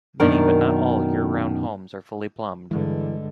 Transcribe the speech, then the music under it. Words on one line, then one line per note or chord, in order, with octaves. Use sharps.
Many but not all year-round homes are fully plumbed.
F#2 B2 D#3 A#3 D4 A#4
G2 D3 E3 G#3